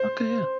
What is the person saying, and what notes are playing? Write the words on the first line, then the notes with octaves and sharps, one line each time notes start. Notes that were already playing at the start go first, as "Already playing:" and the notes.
Okay, yeah.
Already playing: C5